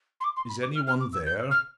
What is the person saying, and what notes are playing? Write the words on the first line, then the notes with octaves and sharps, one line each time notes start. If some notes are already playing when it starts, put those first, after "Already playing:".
"Is any one there?"
C6
D6
C6
B5
D6
F6
F6
D6
E6
G6
F6